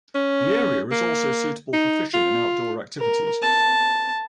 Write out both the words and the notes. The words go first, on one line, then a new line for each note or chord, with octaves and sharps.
The area is also suitable for fishing and outdoor activities.
C#4
A#3
D#4
F4
A#4
A5